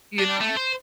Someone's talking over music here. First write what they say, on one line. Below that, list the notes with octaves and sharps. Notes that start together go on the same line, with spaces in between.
You know?
D4
A3
C5